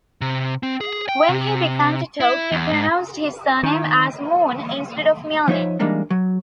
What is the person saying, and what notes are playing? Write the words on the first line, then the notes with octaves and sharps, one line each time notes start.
When he began to talk, he pronounced his surname as Moon instead of Milne.
C3
C4
G#4
G5
C3
E4
E2
G#2
D#3
F3 D#4 C#5 E5
E3 G3 G#3 A#3 D4 D#4
F#3